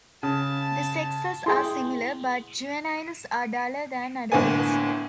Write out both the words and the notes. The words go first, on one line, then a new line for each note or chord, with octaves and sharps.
The sexes are similar, but juveniles are duller than adults.
C#3 A5
E4 G#4 G5 C6
C2 A2 D3 A#3 B3 G#5